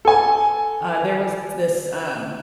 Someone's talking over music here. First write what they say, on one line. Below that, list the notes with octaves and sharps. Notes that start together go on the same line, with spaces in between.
uh, there was this, um,
A4 G#5